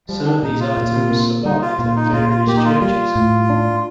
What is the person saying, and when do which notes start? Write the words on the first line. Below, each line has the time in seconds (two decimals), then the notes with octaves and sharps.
Some of these items survive at various churches.
0.09 F3 G3
0.26 D4
0.43 A#2 D#4
0.60 F4
0.77 A#2
1.11 A#3
1.45 G3 D#4
1.62 F4
1.79 A#2 F4
1.96 D#4
2.13 A#2 F4
2.30 F4
2.47 A#3 G4
2.56 D#4
2.64 F4
2.81 G3 F4
3.15 A2
3.50 D4